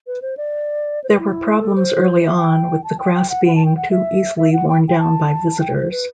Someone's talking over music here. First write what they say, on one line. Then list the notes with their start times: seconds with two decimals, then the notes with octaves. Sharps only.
There were problems early-on with the grass being too easily worn down by visitors.
0.07 B4
0.22 C5
0.37 D5
1.04 C5
1.09 B4
1.19 E4
1.60 A4
1.76 C5
2.23 E5
2.37 G5
2.84 A5
2.99 G5
3.15 G5
3.30 F#5
3.46 F#5
3.56 A5
3.65 G5
3.76 F#5
3.91 E5
4.38 E5
4.53 F#5
4.68 G5
4.88 G5
4.99 A5
5.60 G5
5.76 C5
5.91 B4